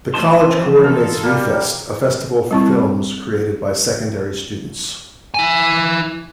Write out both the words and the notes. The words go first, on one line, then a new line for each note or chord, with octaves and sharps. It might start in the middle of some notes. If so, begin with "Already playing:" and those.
The college coordinates V-Fest, a festival for films created by secondary students.
A3 D#5 A5 C6
E3 F3 C4
B2 A4 A#4 F5
G3 A#3
G3 C4 E4
E4 G#5